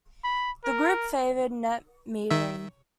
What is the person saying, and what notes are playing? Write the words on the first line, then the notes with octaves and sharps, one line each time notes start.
The group favored net metering.
B5
A#4
D#3 E5